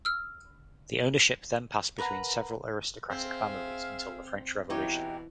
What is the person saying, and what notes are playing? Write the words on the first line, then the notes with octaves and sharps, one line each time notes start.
The ownership then passed between several aristocratic families until the French Revolution.
E6 F6
A#4 B4 F#5 A#5
C4 G#4 E5 F5
B2 E3 D#4 E4 G4 C#5